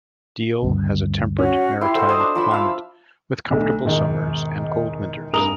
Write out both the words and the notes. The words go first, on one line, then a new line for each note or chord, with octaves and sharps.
Deal has a temperate maritime climate, with comfortable summers and cold winters.
D2 G2 C#3
C#4 F#4
E4 G4 B4 C6
F#4 A4 C5
C5 D#5
D4
F3 A5 B5
E5 F5
B1 D3 A3
E1 G#2 D#3
F1 G2 A#4 D#6 F7